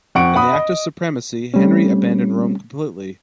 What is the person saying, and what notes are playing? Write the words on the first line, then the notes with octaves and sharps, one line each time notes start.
In the Act of Supremacy, Henry abandoned Rome completely.
F2 F#5 C#6 D7
F#5 B5 D#6
D#5
G3 A3 C4 C#4